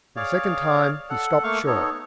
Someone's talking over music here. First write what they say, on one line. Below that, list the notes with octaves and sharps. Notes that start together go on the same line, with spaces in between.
For the second time, he stopped short.
G#4 C#5 D5 F5
A4 F#5
A3 A#3 F5 C#6
B3 D#4 A4 C#5